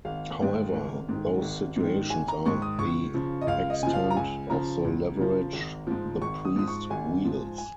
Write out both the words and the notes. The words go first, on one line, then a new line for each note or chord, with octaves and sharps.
However, those situations are the extent of the leverage the priest wields.
G#1 F5
G#2 D#3
G#1
G#2 D#3
G#1
G#2 D#3
G#1 G#5
A#5
G#2 D#3 C#6
D#6
C#2 C#6
C#3 F3
D#5
C#2 F5
D#5
C#3 F3 G#5
F5
A#5
C#2 G#5
C#3 F3 A#5
C#2
C#3 F3
G#1
G#2 F3
G#1 C#6
D#6
G#2 F3 D#6
C#6
G#1 G#5
G#2 F3
G#5